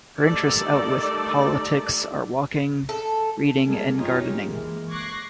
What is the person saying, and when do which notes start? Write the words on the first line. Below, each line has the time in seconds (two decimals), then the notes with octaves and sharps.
Her interests outwith politics are walking, reading and gardening.
0.20 D#3 G3 A3 D#4 A4 D5
2.89 A4
3.67 G3 G#3 A#3 G#4 A4
3.97 F#2 D#4 F4 G4 G#4 C#5
4.44 E3 G#3 A#3
4.91 C#6 D6 F#6 G#6 A#6 C7